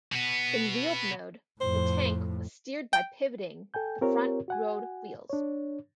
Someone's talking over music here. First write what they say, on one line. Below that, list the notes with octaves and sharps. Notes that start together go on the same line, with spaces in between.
In wheeled mode, the tank was steered by pivoting the front road wheels.
B2 B3
F2 A2 C5
G5
A4 G5 G#5 G6
C4 F4 G4 A#4 C#5
F#4 F#5 G#5
D4 C#5